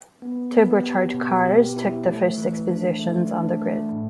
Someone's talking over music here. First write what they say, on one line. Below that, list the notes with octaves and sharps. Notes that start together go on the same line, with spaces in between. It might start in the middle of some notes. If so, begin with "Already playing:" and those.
Turbocharged cars took the first six positions on the grid.
B3
B3
G4
B2
G4
E4
A3
E3
D4
A3
D4
A3
A2